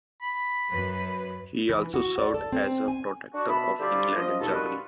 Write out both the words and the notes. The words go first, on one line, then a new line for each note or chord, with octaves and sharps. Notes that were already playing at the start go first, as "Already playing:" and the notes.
He also served as the protector of England and Germany.
B5
F#2 B4
E3
F#4
D5
A4
C4
G#5
D4 F#4
B2 E5 A5 B5
D3 G3 E4 F4 C5 D5
F3 D#5
D#2 B2 A4
D#3 G3 G#3 F4 F#4 B4